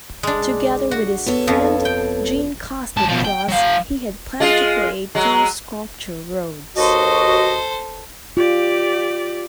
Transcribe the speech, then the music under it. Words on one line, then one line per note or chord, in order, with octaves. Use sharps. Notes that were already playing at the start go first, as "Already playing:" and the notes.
Together with his friend Jeanne Kosnick-Kloss he had planned to create two sculpture roads.
G#3 D4
F#4
B3 A4 C#5
F2 F3
G5
G#2 A5
B2 F3
G5
F#3 F5
G#3 F4 G#4
F#3 G#3
D#2 F#4 A4 C5 D#5
F4 G4 D5